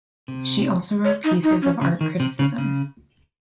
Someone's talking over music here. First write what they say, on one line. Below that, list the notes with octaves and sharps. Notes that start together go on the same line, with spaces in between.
She also wrote pieces of art criticism.
C3
C#5
D#4
D#4
C#4
C#3
D#3
C3
C#3
C#3